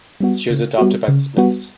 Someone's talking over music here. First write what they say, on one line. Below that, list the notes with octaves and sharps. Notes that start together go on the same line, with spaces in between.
She was adopted by the Smiths.
G3 B3 F#4
C#3
G3 B3 F#4
C#3
G3 B3 F#4